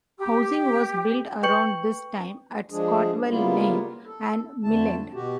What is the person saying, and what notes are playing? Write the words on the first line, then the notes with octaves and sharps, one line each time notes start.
Housing was built around this time at Stockwell Lane and Millend.
G4
B4 G5 C#6 G6 C#7 F#7
F3 G#3 D4 G#4
C#3 G3 A#3 B3 E4 F4
A4
F2 D3 A3 A5
B2 F#4 G4